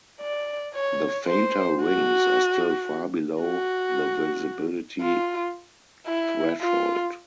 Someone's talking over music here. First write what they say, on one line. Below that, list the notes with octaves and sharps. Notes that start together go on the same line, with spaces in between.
The fainter rings are still far below the visibility threshold.
D5
C#5
C5
F#4
F#4
F4
E4
F4